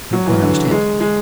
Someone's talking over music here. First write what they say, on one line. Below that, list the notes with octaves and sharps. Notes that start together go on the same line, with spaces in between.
"I don't quite understand."
F#3
E3
D3
G#3
G#3